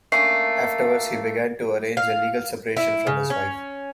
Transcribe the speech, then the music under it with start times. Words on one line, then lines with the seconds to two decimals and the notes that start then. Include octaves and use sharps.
Afterwards, he began to arrange a legal separation from his wife.
0.12 A3 A#3 C#4 D4 C7
1.97 F5
2.77 E4
3.07 C#3
3.30 C#4